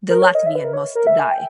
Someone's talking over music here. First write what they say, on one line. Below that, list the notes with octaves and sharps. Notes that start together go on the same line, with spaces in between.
The Latvian must die.
A#4
C#5
D#5
E5
B4
A#4
C#5
A#4
E5
G#5
G5